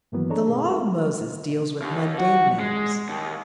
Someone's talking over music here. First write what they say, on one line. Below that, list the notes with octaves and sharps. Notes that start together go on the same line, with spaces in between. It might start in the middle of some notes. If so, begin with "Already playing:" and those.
The Law of Moses deals with mundane matters.
G2 D#3 E3 F#3 A#3 B3
D4 G#4 A4 C#5 D#5 A#5
B2 G#4
G#3 F4 A4 A#4 E5
D#2
F#4
G#3
D#2